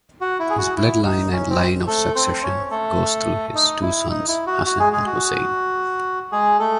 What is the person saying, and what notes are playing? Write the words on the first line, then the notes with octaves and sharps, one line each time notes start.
His bloodline and line of succession goes through his two sons Hasan and Hussein.
F#4
E4
G#4
F#4
E4
D#4
C#4
C4
A3 A4
C4 C5
C5
C#4 C#5
A3 A4
D#4
E4
D#4
E4
F#4
F#4
G#3 G#4
G#3 G#4
F#4
G#3 G#4
A3 A4